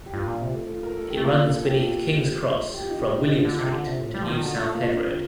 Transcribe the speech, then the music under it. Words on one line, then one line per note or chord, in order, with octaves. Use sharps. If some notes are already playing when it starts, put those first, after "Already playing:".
It runs beneath Kings Cross from William Street to New South Head Road.
G4
G2 F4
A#2
C3
A3
F4
A#4
A4
G4
A3
A#3 F4
F4
A4
G4
F4
G3
A3
G3
A3
G4
G3 F4
F3 D#4
D#4
D#3 D#4
F4
D3 F4
C3
D3
C3
A2
G3
F3
D#3
D3
A3 F4
A#3 F4
F4
D4 A#4
C4